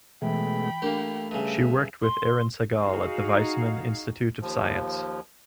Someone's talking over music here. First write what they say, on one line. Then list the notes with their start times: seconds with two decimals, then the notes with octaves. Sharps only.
She worked with Eran Segal at the Weizmann Institute of Science.
0.22 B2 E3 G#3 A3 G5 B5
0.82 A3 A#3 D4 G4 A#4
1.31 G2 C#3 E5
2.02 C6
2.82 D#4 F#4 G#4 F5
4.41 D#2 F3